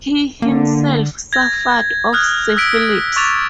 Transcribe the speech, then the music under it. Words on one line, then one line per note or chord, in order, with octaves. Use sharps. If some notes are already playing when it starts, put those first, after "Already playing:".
He himself suffered of syphilis.
D3 A#3
G#6 A#6
D#6 F6 F#6 G#6
E6 F#6 B6 D7
C#6 D6 A6 F7